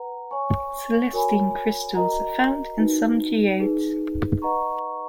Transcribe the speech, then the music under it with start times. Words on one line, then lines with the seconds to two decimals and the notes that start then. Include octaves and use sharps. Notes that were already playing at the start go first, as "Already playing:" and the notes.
Celestine crystals are found in some geodes.
Already playing: B4 F#5 A#5
0.31 C#5 G#5 C#6
1.13 F#4 A#4 C#5 G#5 B5
1.95 F#4 A#4 D#5 A#5
2.78 D#4 F#4 B4
3.60 D#4 G#4 B4
4.42 B4 D#5 F#5 A#5 C#6